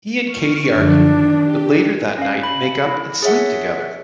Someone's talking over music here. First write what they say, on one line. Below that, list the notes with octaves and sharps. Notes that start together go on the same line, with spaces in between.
He and Katie argue, but later that night make up and sleep together.
C#6 F6
F#2 D3 F3 D4
D#3
G4
C#4 F5
B5
E4
G#4 C#5 E5 F#5